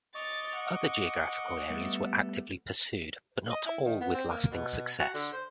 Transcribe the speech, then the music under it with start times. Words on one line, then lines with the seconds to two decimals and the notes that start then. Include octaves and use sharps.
Other geographical areas were actively pursued but not all with lasting success.
0.15 D#5 C#6 D6 A6 F7
0.57 F#5
1.70 G3 A3 B3
3.51 D#5
3.66 E4
3.84 D#3
4.01 B3
4.14 C4
4.30 A#3
4.51 B2
4.99 F#4
5.14 D3
5.32 C5